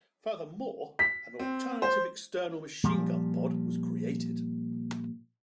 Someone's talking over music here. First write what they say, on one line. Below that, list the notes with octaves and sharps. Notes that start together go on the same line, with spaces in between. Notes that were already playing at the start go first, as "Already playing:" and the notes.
Furthermore, an alternative external machine gun pod was created.
B6
C4
C5
A#2 F3 G3